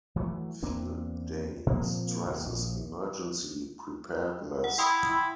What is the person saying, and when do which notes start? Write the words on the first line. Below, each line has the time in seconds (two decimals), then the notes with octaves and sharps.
Field Day stresses emergency preparedness.
0.16 E3 F#3 A3
0.63 E2 A#3 C4 D4
1.66 A#2 F3 A#3 C4
2.26 D#2 G#2 B2
2.45 A#1
4.64 F#5
4.78 E4 G5 C6 D#6
5.10 E4